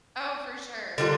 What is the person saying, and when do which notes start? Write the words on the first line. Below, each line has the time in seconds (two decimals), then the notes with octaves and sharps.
Oh, for sure.
0.98 D3 G3 A#3 F4